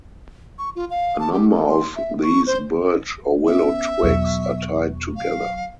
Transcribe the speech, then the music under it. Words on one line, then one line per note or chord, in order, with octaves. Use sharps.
A number of these birch or willow twigs are tied together.
C#6
F4
F5
A5
G4
A4
C6
E5
C#6
C5
B3 C#4 E5
E2 B2 F#3 B3 C#6
F5